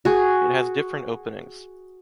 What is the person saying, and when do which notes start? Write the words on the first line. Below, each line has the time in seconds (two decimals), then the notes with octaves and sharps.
It has different openings.
0.05 F#4 G#4